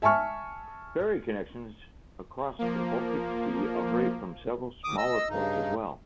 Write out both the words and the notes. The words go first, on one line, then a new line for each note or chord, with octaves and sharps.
Ferry connections across the Baltic Sea operate from several smaller ports as well.
E5 G#5 A5 C#6 F6
F3 A#3
D#2 D6 D#6
D#5 E6
G2 C#3 D#4